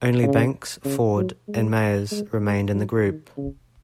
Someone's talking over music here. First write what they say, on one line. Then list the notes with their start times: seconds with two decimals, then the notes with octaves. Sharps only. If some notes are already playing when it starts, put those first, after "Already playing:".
Only Banks, Ford and Mayes remained in the group.
0.23 C#3
0.85 C#3
1.17 F#3
1.48 G#3
2.12 G#3
2.42 G#3
2.74 F#3
3.06 D#3
3.37 C#3